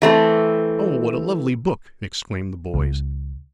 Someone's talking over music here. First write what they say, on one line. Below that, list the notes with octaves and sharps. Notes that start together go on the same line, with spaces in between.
"Oh, what a lovely book!" exclaimed the boys.
E3 A3 C4
C#2